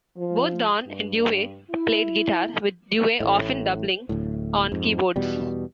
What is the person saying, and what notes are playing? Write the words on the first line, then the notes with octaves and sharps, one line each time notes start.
Both Don and Dewey played guitar, with Dewey often doubling on keyboards.
F3
G2
E4
A1 A2
D1 D2 A2
F2 G#2
E2 B2 G3